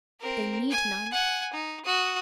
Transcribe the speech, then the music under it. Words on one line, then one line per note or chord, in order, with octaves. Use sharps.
They need none.
C4 A#4
G#5
F#5 G#5
D#4
F#4 D#6